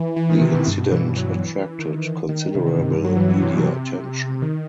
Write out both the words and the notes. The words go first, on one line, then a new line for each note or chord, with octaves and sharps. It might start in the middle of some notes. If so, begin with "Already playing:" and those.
The incident attracted considerable media attention.
Already playing: E3
E3
D#3
C3
B2
G2
B2
E3
E3
F#3
E3
E3
E3
D#3
D#3
C3
C3
G2
G2
F#3
E3
E3
C3
B2
C3
D#3